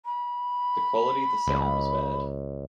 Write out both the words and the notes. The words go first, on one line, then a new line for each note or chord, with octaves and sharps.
The quality of the sound was bad.
B5
C#2